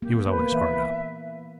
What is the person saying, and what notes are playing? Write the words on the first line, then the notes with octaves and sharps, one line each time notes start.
He was always hard up.
A#3 G4
B3
A#3 B4
A#3
E3 E5